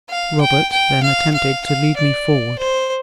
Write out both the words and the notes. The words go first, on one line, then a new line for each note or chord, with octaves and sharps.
Robert then attempted to lead me forward.
F5
G5
G5
F5
F5
F5
D5
C5